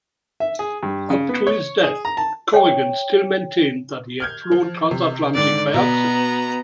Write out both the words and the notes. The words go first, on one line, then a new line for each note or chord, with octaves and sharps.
Up to his death, Corrigan still maintained that he had flown transatlantic by accident.
E5
G#4
G2
C#3
B3
C#5
G#4
A#5
A5
C#5 G5
F6 G6 G#6
F3
C3
G#2 D3 D#3 D5
B2 B3 A#5